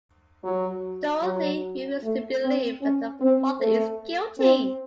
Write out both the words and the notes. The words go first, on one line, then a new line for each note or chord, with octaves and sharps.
Dorothy refuses to believe that her father is guilty.
F#3
F#3
A3
C4
C#4
C4
A3
C4